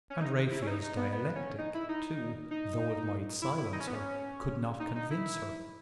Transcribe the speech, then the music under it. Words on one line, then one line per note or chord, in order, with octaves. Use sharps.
And Raphael's dialectic, too, though it might silence her, could not convince her.
C#4
D#4
E4
C#4
D#4
D#4
B3
B3
C#4
D#4
E4
D#4
D#4
E4
E4
D#4
C#4
B3
C#4
D#4
D#4
E4